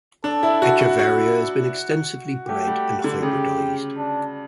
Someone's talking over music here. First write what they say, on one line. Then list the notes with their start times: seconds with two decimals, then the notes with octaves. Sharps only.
"Echeveria" has been extensively bred and hybridised.
0.24 D4 A4
0.43 E4
0.62 F#4
0.80 F#4
0.99 E4 F#4
2.48 A3 G4
2.67 G3
3.04 D3
3.22 C#3 G4
3.98 D4